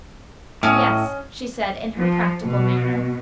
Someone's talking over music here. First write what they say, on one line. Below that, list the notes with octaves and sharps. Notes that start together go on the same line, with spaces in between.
"Yes," she said, in her practical manner.
A2 C#4 D#5
F3
B2